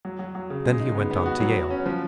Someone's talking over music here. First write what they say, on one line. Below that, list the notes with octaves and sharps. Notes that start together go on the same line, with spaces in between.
Then he went on to Yale.
F#3
F#3
F#3
C#3
G#3
D#4
B3
B3
F#4
F#3
F#4
C#4
F3